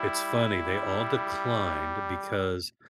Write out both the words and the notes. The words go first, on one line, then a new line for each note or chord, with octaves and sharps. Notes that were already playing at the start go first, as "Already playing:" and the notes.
It's funny. They all declined because
Already playing: G3 E4
G3